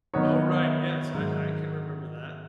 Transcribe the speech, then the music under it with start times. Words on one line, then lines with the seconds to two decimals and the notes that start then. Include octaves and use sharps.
Oh, right, yes, I I can remember that.
0.13 D#3 F#3 B3 D#4 C#5
0.55 F#5
0.64 E5
1.14 G#2 D#3 F#3